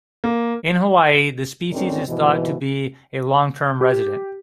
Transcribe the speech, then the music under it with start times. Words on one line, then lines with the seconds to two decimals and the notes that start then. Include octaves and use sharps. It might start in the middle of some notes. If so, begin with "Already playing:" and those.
In Hawaii, the species is thought to be a long-term resident.
0.24 A#3
1.72 D2 G#2 C4 C#4 A#4 D5
2.06 D#2 G#2 B2 E3
3.81 G4